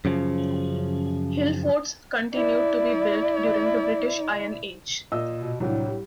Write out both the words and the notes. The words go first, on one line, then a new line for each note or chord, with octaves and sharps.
Hillforts continued to be built during the British Iron Age.
F#2 C#3 F3
E4 D5
A#2 D#5 E6
B2
C2 A2 F#3 D4
G3